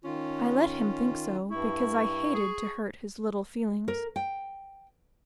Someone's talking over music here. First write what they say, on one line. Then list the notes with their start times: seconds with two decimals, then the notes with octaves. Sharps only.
I let him think so, because I hated to hurt his little feelings.
0.04 D#3 C#4 F4
1.50 G2 E4 C#6
2.35 G#4
3.88 A#4
4.16 G5